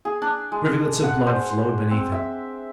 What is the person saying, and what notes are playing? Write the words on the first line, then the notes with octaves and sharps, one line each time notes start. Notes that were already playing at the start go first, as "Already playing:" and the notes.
Rivulets of blood flowed beneath him.
G#4
D4
G#3
F#5
C5
C5
C4
E5